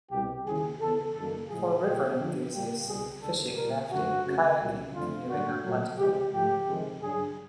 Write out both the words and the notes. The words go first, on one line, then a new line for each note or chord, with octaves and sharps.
For river enthusiasts, fishing, rafting, kayaking and canoeing are plentiful.
C2 B2 G3 G4
D#2 C#3 E3 G#4
E2 C#3 E3 A4
F#2 D#3 G3 A#3 A4
A2 F3 G#3 G#4
A#2 F3 A#3 G4
F2 D3 F3
A#2 G3 A#3 G4
C2 B2 G3 G#4
D#2 D3 G3 A4
A#2 G3 A#3 A#4
F#2 D3 F3 A3 F#4
F2 C#3 F3 A3
C2 A#2 F#3
F2 D3 F3 A3 F4
G2 D3 F#3 A#3 F#4
A#2 F#3 A3
C2 C3 F3 G#3 G4
G#2 F3 A3 G4
F2 C3 D#3 G#3
G2 D3 F#3 G#4